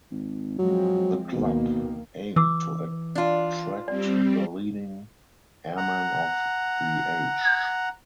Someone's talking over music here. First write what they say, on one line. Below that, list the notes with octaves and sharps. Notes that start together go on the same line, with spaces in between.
The club aimed to attract the leading airmen of the age.
G#1
F3 F#3 G#3 C4
D2 B2 D#3 A#3
E3 D6 E6
D4 F4
G3 C4 D5
F#5 A#5